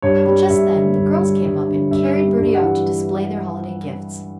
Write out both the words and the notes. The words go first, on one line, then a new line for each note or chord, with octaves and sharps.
But just then the girls came up and carried Bertie off to display their holiday gifts.
G2 C#5
G3
G2 E5
D3
G2
G3
G2
D3
G2 E5
G3
G2
F#5
E3